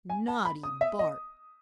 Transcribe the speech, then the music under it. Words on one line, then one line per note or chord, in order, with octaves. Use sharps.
"Naughty Bart!"
G#5
A5
B5
D#6
E5
D#5